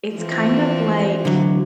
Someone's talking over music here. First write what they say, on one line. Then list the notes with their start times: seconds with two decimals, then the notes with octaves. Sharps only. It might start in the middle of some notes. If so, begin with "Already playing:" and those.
It's kind of like,
0.14 E3 F3 C4
1.25 D3 F#3